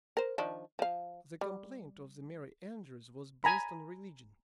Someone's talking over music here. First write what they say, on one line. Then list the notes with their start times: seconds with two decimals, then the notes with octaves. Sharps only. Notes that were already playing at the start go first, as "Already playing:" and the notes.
The complaint of the merry-andrews was based on religion.
0.17 A#4 C5
0.38 D#3 F3 D4
0.79 F3 F5
1.41 G3
3.44 G#5 A#5 B5